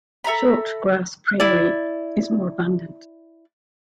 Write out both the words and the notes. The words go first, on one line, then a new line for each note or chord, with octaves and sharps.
Short grass prairie is more abundant.
A4 E5 A#5 B5
E4 D5